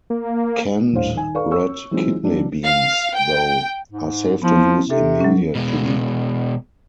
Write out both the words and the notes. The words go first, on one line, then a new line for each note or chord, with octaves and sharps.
Canned red kidney beans, though, are safe to use immediately.
A#3
D#1 A2 D4 C5 F5
D#3 G#5
A4 B4 D5 F5 C#6
C#5 C#6 E6
E3 F#3 G#3 C4 D#4 F4
E3 F#3 A#3 D4
F5
G5
G#2
F3 B3 E4
C3 D4 A4
F#3 C#4
B2 G#3